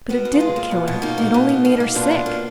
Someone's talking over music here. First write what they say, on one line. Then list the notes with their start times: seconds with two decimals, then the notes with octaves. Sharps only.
But it didn't kill her; it only made her sick.
0.09 B3 F#4 A#4
0.25 B2
0.32 F4 G#4
0.40 G#3
0.56 A#3
0.71 B2
0.88 B2
1.02 A#3 D#4 F#4
1.18 A#3
1.34 B2
1.49 B2
1.65 A#3
1.80 A#3
1.95 B2 D4 F4
2.11 B2
2.26 A#3